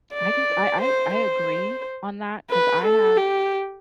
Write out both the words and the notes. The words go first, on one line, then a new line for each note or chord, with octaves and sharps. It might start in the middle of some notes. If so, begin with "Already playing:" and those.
I can sa I I I agree on that 'cause I have
D5
C5
C5
B4
A4
G4